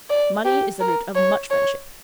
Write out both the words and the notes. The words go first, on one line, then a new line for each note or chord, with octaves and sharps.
Money is the root of much friendship.
D5
G4
A#4
C#5
C#5